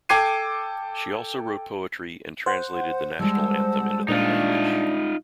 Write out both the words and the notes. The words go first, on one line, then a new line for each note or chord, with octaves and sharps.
She also wrote poetry and translated the national anthem into that language.
A4 G5 D6 G#6 C7 D#7
C5 F#5
G3 G#3 A5 E6
A#2 D4 D#4 F4 D5